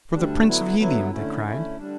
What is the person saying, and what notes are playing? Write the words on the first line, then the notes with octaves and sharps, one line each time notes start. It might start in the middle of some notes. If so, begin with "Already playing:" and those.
"For the Prince of Helium!" they cried.
D2 D3 G3 D4
D3 F#3 B3 E4
D3 F#3 B3 E4
D3 A3 C#4 E4
D3 A3 C#4 E4
D3 G3 D4